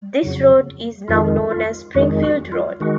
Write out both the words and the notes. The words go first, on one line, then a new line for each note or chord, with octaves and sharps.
This road is now known as Springfield Road.
F2 C#3 F#3
F2 D#3 G#3 F4
F4
F2 D#3 G#3 F#4
F#4
F4
D#3 G#3 F#4